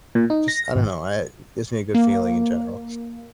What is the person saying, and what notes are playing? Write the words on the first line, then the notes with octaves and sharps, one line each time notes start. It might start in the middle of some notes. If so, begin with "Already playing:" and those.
just, I don't know I gives me a good feeling in general,
A#2
D#4
A#6
G#1
A#3